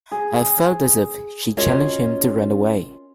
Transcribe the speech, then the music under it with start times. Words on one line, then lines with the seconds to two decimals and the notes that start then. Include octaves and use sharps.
I felt as if she challenged him to run away.
0.11 G#4
1.57 C#4 F4 F#4 A#4 C#5 D#5